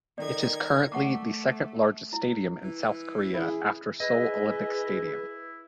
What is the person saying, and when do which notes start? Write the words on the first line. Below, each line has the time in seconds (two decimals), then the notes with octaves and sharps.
It is currently the second largest stadium in South Korea after Seoul Olympic Stadium.
0.18 D#3 A4 D5 G#6
0.92 A3 F#5 C#6 D6
2.13 E4
2.64 E3
3.34 E4 G#4
4.00 E4 G#4 B4 D#5